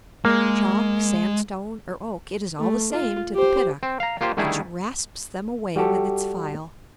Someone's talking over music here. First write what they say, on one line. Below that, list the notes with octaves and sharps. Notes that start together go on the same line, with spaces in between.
Chalk, sandstone, or oak, it is all the same to the Piddock, which rasps them away with its file.
G#3 A#3
A3
F4
G4 C5
C4
F5 A#5
A#3 F4 G4 C5
D3 D#3 G3 A3 E4 G#4
G3 F#4 G4 A4